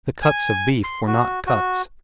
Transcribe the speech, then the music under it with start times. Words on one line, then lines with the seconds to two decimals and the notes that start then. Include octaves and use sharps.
The cuts of beef were not cuts.
0.22 G#5
0.84 C6
1.07 F#4
1.47 F#4